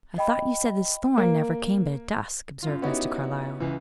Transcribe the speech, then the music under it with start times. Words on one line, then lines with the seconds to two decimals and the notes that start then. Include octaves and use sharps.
"I thought you said this Thorn never came but at dusk," observed Mr. Carlyle.
0.18 D#5 G5 B5
1.18 A#3
2.63 F#2 F4
2.82 B3 C#4 D#4 E4 F#4 G4
3.60 C#2 E3